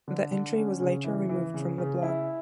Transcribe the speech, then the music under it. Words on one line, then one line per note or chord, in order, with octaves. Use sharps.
The entry was later removed from the blog.
D3
D3
C#4
C#3
E3
E3
C#3
C#3
E4